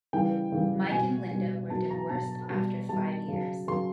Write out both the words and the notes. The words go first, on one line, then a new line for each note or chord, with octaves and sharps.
Mike and Linda were divorced after five years.
C#3 E3 G3 G5
C#3 E3 G3
B2 G#5
G3
B2 G3
B2 F#3 A5
A#5
B2 F#3 A5
B2 G3
B2 G3 A5
C#3 F#3
C#3 F#3 C6